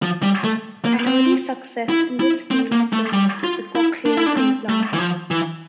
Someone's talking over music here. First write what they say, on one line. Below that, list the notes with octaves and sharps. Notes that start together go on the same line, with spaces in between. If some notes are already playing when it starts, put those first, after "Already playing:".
An early success in this field is the "cochlear implant".
F3
G3
A3
A#3
C4
E4
E4
C4
A#3
A3
G3
F4
E4
D4
E4
D4
C4
A3
E3
F3
E3